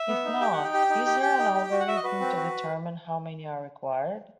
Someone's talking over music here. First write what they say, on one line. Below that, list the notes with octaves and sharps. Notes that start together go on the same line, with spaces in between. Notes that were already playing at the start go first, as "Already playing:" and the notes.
If not, is there an algorithm to determine how many are required?
Already playing: E5
B3
D#4
G4 G5
D#4 F#5
G5
G4
D#4
G4
G4
D#4
G4
F#4
F#5
F#4 E5
D#5
F#4 B4
C4
F#4